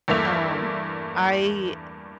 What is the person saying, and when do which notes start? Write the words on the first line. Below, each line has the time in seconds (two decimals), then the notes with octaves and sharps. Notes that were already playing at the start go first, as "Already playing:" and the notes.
um, I
0.08 E2 G2 A3 A#3 E5 F7